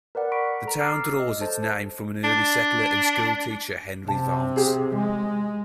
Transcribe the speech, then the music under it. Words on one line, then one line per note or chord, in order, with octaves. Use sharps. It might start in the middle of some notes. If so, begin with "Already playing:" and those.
The town draws its name from an early settler and school teacher Henry Vance.
A#4 B4 D5 F#5
B5 C#6 B6 D7
A4 A#5
D6 E6 F6 A6 C7
D#5
A4 C5 A5
D4
C3 A5
G4 G#4
G#3